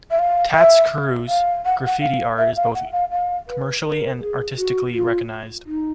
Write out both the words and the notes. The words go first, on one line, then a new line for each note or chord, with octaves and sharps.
Tats Cru's graffiti art is both commercially and artistically recognized.
E5
F5
E5
F5
F#5
F#5
F5
E5
F5
F#5
F5
F5
B4
A#4
G#4
F#4
F4
D#4